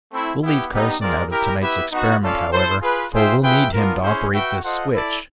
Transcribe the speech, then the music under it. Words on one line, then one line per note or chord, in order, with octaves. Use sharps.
We'll leave Carson out of to-night's experiment, however, for we'll need him to operate this switch.
A3 C4 E4
B3 E4 G4
G3 B3 D#4 G4
G#3 C4 F4 A#4 D5
E4 G4 A#4
B3 E4 G4 B4 E5
B3 D#4 F#4
C#4 F4 A4 D5 F5
E4 A4 C5
F4 G#4 B4
F4 G#4 C5 E5 G5
F4 G#4 B4 E5 G5
B3 D4 F4 A#4
C#4 E4 G#4 C5
F#4 B4 E5 G5
F4 A4 C5 D#5 F#5
E4 A4 D5